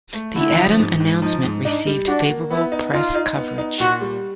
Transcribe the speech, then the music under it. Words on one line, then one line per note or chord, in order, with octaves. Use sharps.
The Adam announcement received favorable press coverage.
A3
D3 E4
F3
G#2
G#2
F3 D#4
G#2
D4 D#4
G3
D4 F#4
A#3
B3 E4
D#4
D#4 F4
D#4
B3
D#4
A#2 F#4
G3